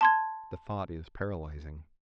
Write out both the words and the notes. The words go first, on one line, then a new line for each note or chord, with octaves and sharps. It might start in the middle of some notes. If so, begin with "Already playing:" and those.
The thought is paralyzing.
A5 C6 G#6